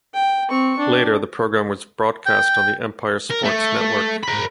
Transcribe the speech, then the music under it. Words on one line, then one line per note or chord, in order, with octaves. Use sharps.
Later the program was broadcast on the Empire Sports Network.
G5
C4 C#6
D4
G5
A#4
A3
A#4 B5